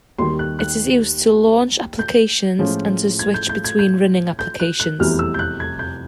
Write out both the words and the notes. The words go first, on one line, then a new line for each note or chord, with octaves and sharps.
It is used to launch applications and to switch between running applications.
D#2 D#3 G3 C6
F#6
F#6
G6
A2 F3 G#3 C#4 F4
G#6
G6
G6
G#6
G6
G6
F#6
F#6
F1 E2 C3 E3 G3 F6
E6
G6
F#6
G#6
G6